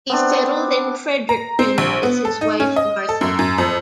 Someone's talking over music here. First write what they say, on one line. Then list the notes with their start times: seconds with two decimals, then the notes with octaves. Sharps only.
He settled in Fredericton with his wife, Martha.
0.09 B3 C4 D4
1.29 A#5
1.59 C4
1.78 A#1
2.03 B3
2.25 A4
2.41 D#4
2.60 C#4
2.76 D#5
3.09 A4
3.21 F#2
3.39 F#2
3.58 F2